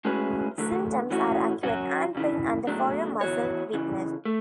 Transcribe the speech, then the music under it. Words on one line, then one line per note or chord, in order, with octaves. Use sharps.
Symptoms are acute hand pain and forearm muscle weakness.
A2 G#3 C#4 F#4 B4
E2 D3 F#3 A3
E3 A3 C#4 F#4
F#3 C#4 F#4
D2 C#3 E3
C#2 B2 F#3 A3 D4
E3 B3 F#4 C#5
C#2 C#3 E3
A3